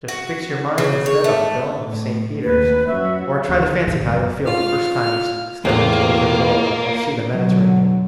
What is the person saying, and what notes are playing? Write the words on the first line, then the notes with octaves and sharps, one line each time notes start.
Just fix your mind instead on the dome of St. Peter's, or try to fancy how you'll feel the first time you step into a gondola or see the Mediterranean.
F#4
C#3
C#5
A3
A2
D#2 B4
F#2 F#4 C#5 E5
D2
C#3
G#1 G#2
F#1 F#2
F4 F6
E2 A2 A#3 F4
B2 D3 F#3